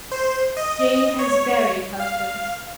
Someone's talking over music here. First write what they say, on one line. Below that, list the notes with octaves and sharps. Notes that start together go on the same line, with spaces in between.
Jane has buried husbands.
C5
D#5
C#5
F5